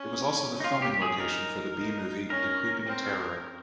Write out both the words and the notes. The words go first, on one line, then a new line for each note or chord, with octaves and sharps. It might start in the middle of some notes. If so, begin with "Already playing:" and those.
It was also the filming location for the B-movie "The Creeping Terror".
Already playing: C#4
D#4
F4
G4
G#4
D#4 A#4
D#4
C#4 A#4
C4